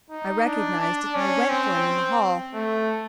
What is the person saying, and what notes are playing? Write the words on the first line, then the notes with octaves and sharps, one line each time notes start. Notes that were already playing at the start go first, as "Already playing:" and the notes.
I recognized it, and I went for him in the hall.
D#4
D4
D4
C#4
C4
A3